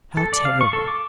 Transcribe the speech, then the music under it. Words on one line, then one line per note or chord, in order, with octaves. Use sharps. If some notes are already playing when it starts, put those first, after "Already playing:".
How terrible!
A4
D5
F5
C#6
A4
D6